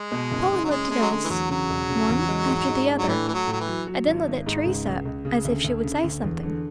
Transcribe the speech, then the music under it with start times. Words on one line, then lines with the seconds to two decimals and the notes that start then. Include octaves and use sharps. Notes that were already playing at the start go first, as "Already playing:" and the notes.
Paula looked at us, one after the other, and then looked at Teresa as if she would say something.
Already playing: G#3
0.12 B2
0.31 F#1
0.51 F#1
0.64 F#3
0.70 G#3 C#4
0.90 G#3 A3
1.01 F#3
1.10 D3 G#3
1.24 E3
1.30 E2 F#3
1.49 C#3 F#3
1.69 E1
1.89 C#3
2.09 E2
2.28 G#3
2.48 G#2
2.68 G#2
2.88 D4
2.98 F#3
3.08 A2 E3
3.27 E3 A3
3.34 F#3
3.47 A2
3.53 F#3
3.60 E3
3.67 F#3
3.87 F#3
4.07 G#1
4.26 G#1
4.46 G#2
4.65 C#2
4.86 C#2
5.05 C#2
5.25 C#3
5.45 D2
5.64 D2
5.84 C#3
6.04 D2
6.23 E2
6.43 D3